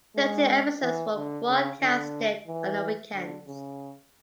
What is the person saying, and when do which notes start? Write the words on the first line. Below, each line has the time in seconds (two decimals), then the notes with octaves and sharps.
Thirteen episodes were broadcasted on the weekends.
0.16 G#3
0.83 E3
1.16 D3
1.48 C#3
1.81 D3
2.47 E3
3.14 D3
3.47 C#3